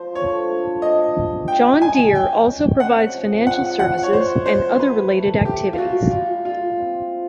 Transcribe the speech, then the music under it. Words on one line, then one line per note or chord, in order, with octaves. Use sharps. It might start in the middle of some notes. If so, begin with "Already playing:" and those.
John Deere also provides financial services and other related activities.
Already playing: F3 C5
D3 C#5
A3
D4 D#5
G3
B3 G5
B3 G#5
C#4 G5
C#4
C3 F#5
F3
G#2 F#5
G#2 F#5
C#5
E3 C5
E3 C5
E3 B4
A3
E3 G4
F4
E3 F#4
G3 F4
A#2 F4
C4
A#2